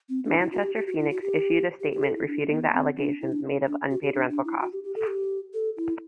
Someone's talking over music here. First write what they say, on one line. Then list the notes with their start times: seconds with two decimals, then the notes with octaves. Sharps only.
Manchester Phoenix issued a statement refuting the allegations made of unpaid rental costs.
0.09 C4
0.25 D4
0.40 E4
0.52 F#4
0.63 G4
0.75 G4
0.87 F#4
0.99 E4
1.11 F#4
1.22 G4
1.80 G4
1.92 G4
2.03 A4
2.16 E4
2.27 D4
2.50 B3
2.73 C4
2.97 D4
3.21 E4
3.32 D4
3.67 D4
3.91 F#4
4.02 G4
4.14 D4
4.30 D4
4.45 E4
4.61 F#4
4.72 G4
4.84 G4
4.96 A4
5.07 G4
5.54 A4
5.77 E4